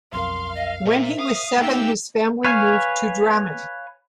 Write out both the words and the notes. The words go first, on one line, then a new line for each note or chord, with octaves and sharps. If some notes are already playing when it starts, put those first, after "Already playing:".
When he was seven, his family moved to Drammen.
B1 F2 A#4 F5 C6
D#5
A#2 A#4 C5 E5
F5 D#6
A3 A#3 D#4 G4 E5 F5 G5 E6
B4 C#5 F5 G#5